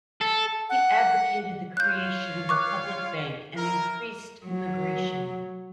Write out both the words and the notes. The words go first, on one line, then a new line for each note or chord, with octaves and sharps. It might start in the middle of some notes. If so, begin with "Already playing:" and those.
He advocated the creation of a public bank and increased immigration.
A4
F#5
F4 C#5 F5 F#6 G6
C#6 D6 F#6
E4 A#4
F#3